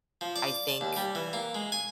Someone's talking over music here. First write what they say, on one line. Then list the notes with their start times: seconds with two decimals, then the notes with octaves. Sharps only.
I think
0.21 F3
0.36 D5
0.68 A5
0.81 D#2
0.96 G3
1.15 E3
1.33 A#3
1.55 G#3
1.72 G#5